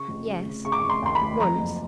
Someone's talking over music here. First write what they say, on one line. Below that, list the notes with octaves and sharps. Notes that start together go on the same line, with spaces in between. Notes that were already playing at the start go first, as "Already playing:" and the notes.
"Yes, once."
Already playing: C#3 C#6
F1
C#3
F1
C#3 C#6
D6
F1 C#6
C6
D#2 C6
B5
F1
F2 A#5
F#1